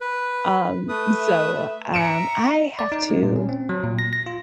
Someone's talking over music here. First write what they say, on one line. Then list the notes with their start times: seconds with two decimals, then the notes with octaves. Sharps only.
um, so um, I have to
0.01 B4
0.89 A3 B4 D#6
1.21 E5
1.94 E5 A#5 C#7 D7 E7
2.79 D5
2.92 D#4
3.10 G#3
3.23 A#2
3.36 C#4
3.49 C4
3.69 F#3
3.84 A#2
3.99 A#6
4.13 A#6
4.26 F4